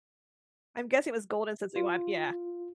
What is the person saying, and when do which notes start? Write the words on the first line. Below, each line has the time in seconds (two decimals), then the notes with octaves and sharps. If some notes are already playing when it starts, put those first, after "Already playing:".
I'm guessing it was Golden since we went yeah.
1.76 F4